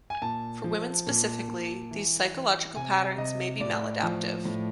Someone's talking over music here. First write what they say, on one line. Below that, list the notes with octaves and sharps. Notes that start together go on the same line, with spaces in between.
For women specifically, these psychological patterns may be maladaptive.
G#5
A#2 A5
F3
A#2
A#2
E3
E3
C3 G#5
C3 D#5
A2 D5
F3
A2